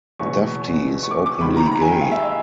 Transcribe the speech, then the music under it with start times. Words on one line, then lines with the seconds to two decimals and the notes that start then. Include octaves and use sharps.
Dufty is openly gay.
0.19 F#1 E2 B2 C#6
1.03 C#6
1.11 D6
1.26 D6
1.41 C#2 C3 D#3 B5
1.56 A#5
1.66 B5
1.72 A#5
1.81 G#5
1.92 G5
2.01 F5
2.12 E5
2.22 D#5